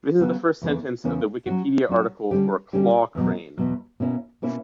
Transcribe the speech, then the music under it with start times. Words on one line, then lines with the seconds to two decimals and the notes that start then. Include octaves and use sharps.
This is the first sentence of the Wikipedia article for “claw crane”.
0.20 C#3 F#3 B3 F#4
0.62 E2 C#3 E3 A#3 C#4
1.04 E2 C#3 E3 A#3 C#4
1.46 F#3 C#4 F#4
1.89 F#3 C#4 F#4
2.31 D3 G3 C#4 G4
2.73 D3 G3 C#4 G4
3.15 E2 B2 F#3
3.57 E2 B2 F#3
4.00 B2 A#3 C#4 E4
4.42 B2 A#3 C#4 E4